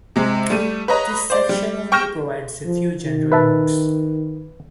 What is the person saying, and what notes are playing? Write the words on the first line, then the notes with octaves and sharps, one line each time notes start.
This section only provides a few general notes.
C3 G#3
G3 A3 D#7
B4 C#5 D#5 A#5
C5 D5
G3
G5 C#6 F6 G6 A#6 E7
F3
D#3
B4 E5 A5